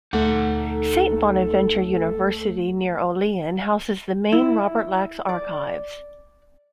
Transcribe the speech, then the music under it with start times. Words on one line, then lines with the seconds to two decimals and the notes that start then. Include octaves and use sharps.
Saint Bonaventure University, near Olean, houses the main Robert Lax archives.
0.13 D2 A3 D#4 A4 F#5
4.32 E4
5.29 D5